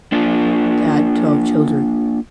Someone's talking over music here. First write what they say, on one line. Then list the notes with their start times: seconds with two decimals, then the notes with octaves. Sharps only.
They had twelve children.
0.12 A#3 D4 F4